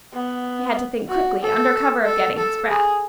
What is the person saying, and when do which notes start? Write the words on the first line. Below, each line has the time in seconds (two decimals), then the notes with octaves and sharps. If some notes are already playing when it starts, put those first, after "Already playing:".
He had to think quickly under cover of getting his breath.
0.13 B3
1.09 F#4
1.42 A4
2.05 A4
2.37 A4
2.70 G#4